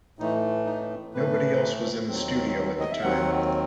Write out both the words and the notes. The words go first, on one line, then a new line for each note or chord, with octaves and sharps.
Nobody else was in the studio at the time.
A2 E3 A3 D#4
D#4
A2 E3 A3 B4
D#2 D#3 F#3 C4
D#5
E5
D#2 D#3 F#3 C4 F#5